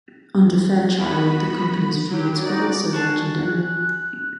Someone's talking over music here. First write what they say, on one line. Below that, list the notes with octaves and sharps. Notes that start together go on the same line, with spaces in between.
Under Fairchild, the company's feuds were also legendary.
B3 F#4 B5
F#3 G4
D#4 F#4 D5
F#4 G#4 A5 F#6